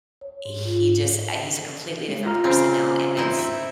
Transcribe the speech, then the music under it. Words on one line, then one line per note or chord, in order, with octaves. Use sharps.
He just I he's a completely different person now, and it's
C#5
G#2
F4
G#3
F4 A#5 F6
C#3 C4
C4 D#4 E4
E5